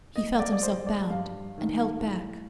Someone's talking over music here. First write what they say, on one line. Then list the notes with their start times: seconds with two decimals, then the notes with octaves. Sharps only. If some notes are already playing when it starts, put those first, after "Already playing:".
He felt himself bound and held back.
0.15 A2 D#5
0.39 D5
0.53 D5
0.63 C5
0.86 D5
1.10 G2 F5
1.58 D#3
2.05 A2